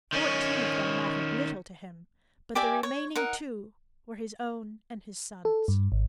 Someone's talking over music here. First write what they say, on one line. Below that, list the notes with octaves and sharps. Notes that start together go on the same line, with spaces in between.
Fourteen of them mattered little to him, but the remaining two were his own and his son's.
D#3 C#4
G4 D5 E5 G#5
C#5
D#4 A#4 F#5
A4
G2
G#1